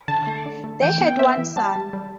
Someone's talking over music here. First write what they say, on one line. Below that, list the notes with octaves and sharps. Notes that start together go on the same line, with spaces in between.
They had one son.
D3 A5
A3
D3
A3
E3 G5
B3
G5
B3 E5
E3
G3 A5
G3
G3